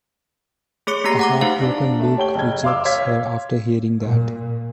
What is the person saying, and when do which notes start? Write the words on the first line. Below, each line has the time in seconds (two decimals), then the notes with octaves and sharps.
A heartbroken Luke rejects her after hearing that.
0.87 A3 G#4 C#5 D6 C#7
1.04 A3 A#3 G4 A#5 A#6 C7
1.19 F#5 A#5 D6
1.41 A3 D#4 G4 C5 F5
1.61 D4
2.00 A3 A5
2.17 G4 C#5 G5 G7
2.35 F#1 G#6
2.64 F5 C6 D6 E6
2.85 C#5 F5 G#6 B6
4.00 A#2